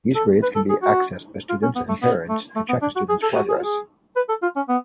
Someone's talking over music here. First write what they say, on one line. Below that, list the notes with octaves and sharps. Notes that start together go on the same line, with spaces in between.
These grades can be accessed by students and parents to check a student's progress.
A4
B4
A4
G#4
F#4
F4
C#4
B3
A3
B3
A3
A3
B3
D4
F#4
G#4
A4
F#4
G#4
G#4
B4
A4
F4
C#4
B3